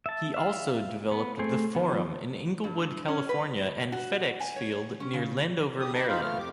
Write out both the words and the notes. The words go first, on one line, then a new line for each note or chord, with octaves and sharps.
He also developed The Forum in Inglewood, California and FedExField near Landover, Maryland.
E5 A5
E5 F5
B3
A3 C4 G#4 C5
D#3 F3 B3
G2
G2
C#4
B4
F#4
G#5
C#5
C#4
C#3
C#3 G4 D#6
D#4 G4 A5 B5
C4 D#4 F4 C5 F5 B5
D2 A3 B3 F4 F6
F2 G4 D6